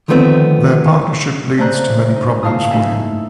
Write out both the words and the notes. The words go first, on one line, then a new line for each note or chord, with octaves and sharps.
Their partnership leads to many problems for him.
D3 D#3 F3 A3 B3 C4
C#3 A3 C5 D5 A#5 F#6
D#4
A#2 C#3 E4 F5 A5 D#6
A3 D#4 E4 A4 E5 G#5